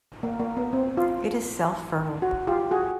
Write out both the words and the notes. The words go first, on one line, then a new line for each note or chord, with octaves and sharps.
It is self-fertile.
A#3
A#3
B3
C4
F4
F#4
F4 G4
F#4 G#4